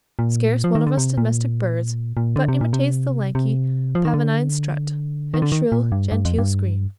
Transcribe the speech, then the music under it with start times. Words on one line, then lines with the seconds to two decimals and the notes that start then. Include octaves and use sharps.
Scarce one of us domestic birds but imitates the lanky, pavonine strut, and shrill, genteel scream.
0.19 A#2
0.64 F3
0.75 D#3
0.87 D3
0.97 C3
1.17 A#2
2.17 A#2
2.36 D3
2.48 C3
2.61 A#2
2.73 C3
3.35 C3
3.95 F3
4.05 D#3
4.14 D3
5.34 D#3
5.42 D3
5.52 D#3
5.72 A#2
5.92 G2
6.12 G2
6.25 F2
6.39 G2